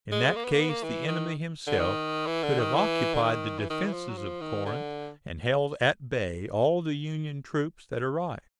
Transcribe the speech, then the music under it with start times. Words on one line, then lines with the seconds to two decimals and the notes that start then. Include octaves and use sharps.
In that case the enemy himself could have occupied the defences of Corinth and held at bay all the Union troops that arrived.
0.12 G#3
0.36 A#3
0.45 B3
0.52 A#3
0.61 B3
0.70 A#3
0.83 E3
1.08 D#3
1.67 D3
1.79 D#3
2.27 E3
2.43 D3
2.59 D#3
2.75 E3
3.14 D3
3.22 D#3
3.59 E3
3.70 D#3
3.86 E3
3.93 F3
4.09 F#3
4.17 F3
4.41 D#3
4.66 D3